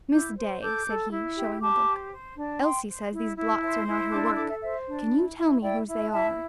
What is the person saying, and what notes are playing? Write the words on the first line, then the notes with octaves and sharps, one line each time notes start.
"Miss Day," said he, showing the book, "Elsie says these blots are not her work; can you tell me whose they are?"
E4 D6 G6
C5
A4 D6 G6
A4
E4
G4
G4 A5 D6
C5
C5
D4
C5 G5 C6
C5
E4
E4
C5 E5 A5
E4
D4 A5 D6
C6 E6
A4 A5 D6
E5 A5
C5 E5
D4
E4
E4
E4 D5 G5
E4
E4 E5 A5